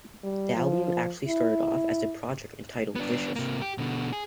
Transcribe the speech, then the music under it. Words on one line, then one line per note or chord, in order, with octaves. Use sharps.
The album actually started off as a project entitled "Vicious".
G3
F3
E4
B3 D4
C3 A#3
G4
B2 D3
G#4